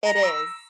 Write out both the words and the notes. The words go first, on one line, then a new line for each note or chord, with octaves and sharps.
It is.
A#5
E6